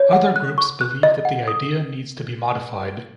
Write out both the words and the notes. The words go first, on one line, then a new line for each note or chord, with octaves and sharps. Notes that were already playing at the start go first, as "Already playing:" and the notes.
Other groups believe that the idea needs to be modified.
Already playing: C#5
F#5
F#6
C#6
F#6
D#5
F#5
D#6